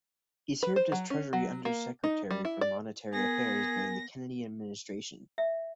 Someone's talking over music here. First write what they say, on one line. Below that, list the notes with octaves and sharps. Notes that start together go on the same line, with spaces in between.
He served as Treasury Undersecretary for Monetary Affairs during the Kennedy administration.
B4
C5
F#3
C#4
F#3
A#3
D#4
G3
E4
D5
B3 G#4 A#4 G#5 A#6
E5